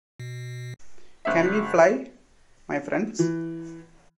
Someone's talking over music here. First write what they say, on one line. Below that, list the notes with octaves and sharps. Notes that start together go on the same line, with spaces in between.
Can we fly, my friends?
B2
F#1 E5
E3